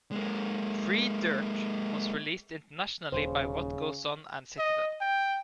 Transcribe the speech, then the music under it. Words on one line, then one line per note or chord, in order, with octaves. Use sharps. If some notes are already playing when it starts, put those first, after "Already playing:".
"Free Dirt" was released internationally by What Goes On and Citadel.
G#3 A#3
D#1 C#3 C5
D#5
G5